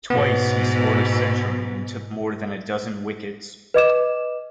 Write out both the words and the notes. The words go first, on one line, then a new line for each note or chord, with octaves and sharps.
Twice he scored a century and took more than a dozen wickets.
G#2 B2 B3
B4 D#5 D6 E7